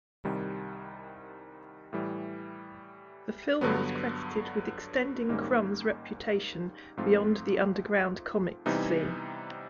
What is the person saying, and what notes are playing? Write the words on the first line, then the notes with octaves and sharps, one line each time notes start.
The film is credited with extending Crumb's reputation beyond the underground comix scene.
C2 C3 D#3 G3
A2 E3 G3
G2 D3 F#3 B3
G#2 D#3 G3 A#3 C#4
G#2 F3 A3 C4 F4
C3 E3 G3 B3 D#4